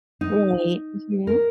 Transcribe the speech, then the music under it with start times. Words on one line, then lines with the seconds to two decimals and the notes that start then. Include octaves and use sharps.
Right. Mhm.
0.21 D#4
1.27 A#4